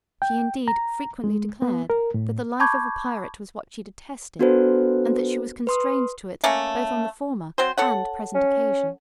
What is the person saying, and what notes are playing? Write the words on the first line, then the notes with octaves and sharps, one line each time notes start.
She indeed, frequently declared, that the life of a pirate was what she detested, and that she was constrained to it both on the former and present occasion.
G5
A#5
G#3
B3
A#4
A2
A5 B5 C#6 D6 G6 G#6
B3 D4 F#4 A4 B4 C5
B4 C6 D#6
A3 A#3 C#4
F#3 C4 C5
A4 C#5 F#5
C#4